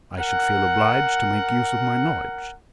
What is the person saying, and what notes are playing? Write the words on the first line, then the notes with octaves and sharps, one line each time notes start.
I should feel obliged to make use of my knowledge.
A#4 F#5